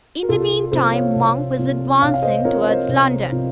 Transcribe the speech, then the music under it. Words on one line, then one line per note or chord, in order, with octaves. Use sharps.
In the mean time Monk was advancing towards London.
A#4
C2 F4 A4
C3 F3 A4 C5
C#5 F5
C2
C3 F3
C2 C#5 F5
F5
C5 D#5
C3 F3 A#4 C#5
C5 D#5
C2
C3 F3